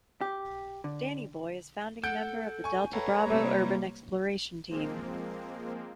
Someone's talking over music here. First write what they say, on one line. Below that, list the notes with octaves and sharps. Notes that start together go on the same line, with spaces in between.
Danny Boy is founding member of the Delta Bravo Urban Exploration Team.
G4
D3
A4 F#5 G6 D7
G#5 C#6
A4 B4 C#5 F5 G5 A#5
C3 G3 A#3
F3 G#3 A#3 C4